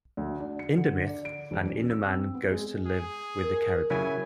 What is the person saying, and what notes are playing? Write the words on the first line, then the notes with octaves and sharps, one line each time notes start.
In the myth, an Innu man goes to live with the Caribou.
D2
D4
C#7
D3
D5
D7
E1
C#4
E6
C4
B3
G#3
G#4
A#4
C#3 F#3 E4 G#5